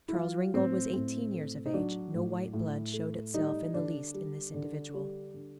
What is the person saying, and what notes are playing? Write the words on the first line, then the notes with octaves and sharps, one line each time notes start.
Charles Ringgold was eighteen years of age; no white blood showed itself in the least in this individual.
E4
F#3 F4
A2 C4
A2 C4
A3
D#4
F#3 D4
A2
A2
A3
G3 D#4
D3 D4
G3
D3
G3
D3